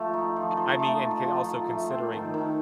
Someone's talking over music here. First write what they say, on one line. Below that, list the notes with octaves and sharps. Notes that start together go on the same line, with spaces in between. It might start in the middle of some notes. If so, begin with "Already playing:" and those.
I mean and can also considering
Already playing: F3 A3
D#4
F3
F3
A3
D#4
F3
F3
A3
C4
D#3
D#3